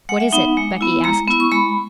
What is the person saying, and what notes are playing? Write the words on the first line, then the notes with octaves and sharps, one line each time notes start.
'What is it?' Becky asked.
G#3 F#5
E5
B3 D#4 F#5
G#3
B3 E4
G#3 A#5
B3 E4
C#6
G#3 B5